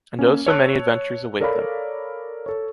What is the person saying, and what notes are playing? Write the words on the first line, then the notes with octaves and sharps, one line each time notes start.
And oh so many adventures await them.
A#3 C#4
C#5 A5 E6 F#6
A4 A#4 C#5 D5 F5 B5
A4 C#5